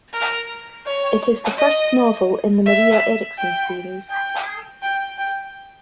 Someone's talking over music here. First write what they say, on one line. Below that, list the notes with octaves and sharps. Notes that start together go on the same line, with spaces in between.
It is the first novel in the Maria Eriksson series.
A#4
C#5
D#5
E5
G5
G5
G5
G5